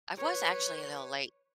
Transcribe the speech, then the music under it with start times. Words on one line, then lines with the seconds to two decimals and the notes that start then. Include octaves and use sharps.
I was actually a little late
0.17 B4 C#5